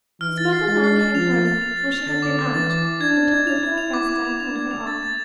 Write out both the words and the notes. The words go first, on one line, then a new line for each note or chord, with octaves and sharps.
His mother now came home, for she had been out, and took little Augusta on her arm.
E3 F6
A6
C7
G#3 A6
C7
A6
F3 F7
A6
A6
F7
A6
F7
D3 A6
D6
D6
E3 A6
D6
D6
D4 G#6
G#6
G#6
E4 F7
G#6
F7
D6
D6
F7
D4 F7
G#6
F7
A6
A6